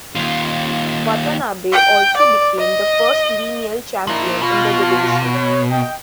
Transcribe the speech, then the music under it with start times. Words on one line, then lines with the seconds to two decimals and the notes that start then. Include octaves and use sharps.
Watanabe also became the first lineal champion in the division.
0.15 D#2 F4
1.72 G5
2.17 D5
2.59 D#5
4.07 F3 A#3 D#4 E4
4.41 B2 F4
5.34 C#5
5.70 D#5 G5